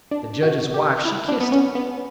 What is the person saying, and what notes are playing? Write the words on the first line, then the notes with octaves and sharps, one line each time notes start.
The judge's wife she kissed it.
D4
F#4
G4
E4
D4
B3
C#4
B3